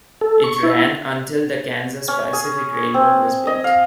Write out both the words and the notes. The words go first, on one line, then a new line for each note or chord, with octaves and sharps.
It ran until the Kansas Pacific Railroad was built.
A4
C#6
E4
C#4
G#4
C4
D#5
F5